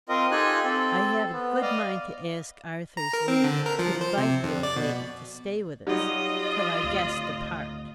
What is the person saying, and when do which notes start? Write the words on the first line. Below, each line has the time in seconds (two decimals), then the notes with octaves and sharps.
I have a good mind to ask Arthur's leave to invite the old lady to stay with us till our guests depart.
0.09 C4 F4 A#4 D#5
0.31 D#4 F4 G4 A4 G#5 F#6
0.64 C4 A4
1.32 B3
1.62 D5 D#5 F5
2.97 A#5
3.13 A#4
3.28 C4
3.44 D3
3.66 A#4
3.79 F3
4.01 C5
4.18 C3
4.44 F2
4.63 D5
4.76 B2
5.87 F#3 G3 D#4 F4 D#5
6.83 G#1 D2